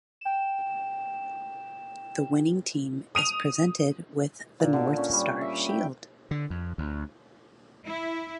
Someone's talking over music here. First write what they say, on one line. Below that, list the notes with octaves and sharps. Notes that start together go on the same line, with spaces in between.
The winning team is presented with the North Star Shield.
G5 E7
D#6 D#7 F7
A#2
D3
C#4
G3
E5
G5
D3
F2
D2
E4